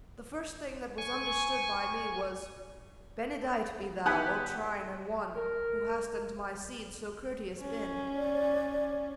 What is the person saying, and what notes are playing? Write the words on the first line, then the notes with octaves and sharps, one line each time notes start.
The first thing that was understood by me Was "Benedight be Thou, O Trine and One, Who hast unto my seed so courteous been!"
G#5 C#6
D#3 B3 G4 F#5 G#5 B5
A#4
C#4
D5